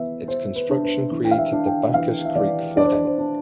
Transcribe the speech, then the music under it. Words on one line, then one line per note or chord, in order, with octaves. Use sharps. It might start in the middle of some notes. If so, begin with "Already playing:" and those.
Its construction created the Backus Creek Flooding.
Already playing: E3 B3 E5
B3 C5
B4
D4
B4
E3
G5
F5
E5
D4
G5
E3 F5
E5
E3 D5
D4 D5
C5
D5
C5
D4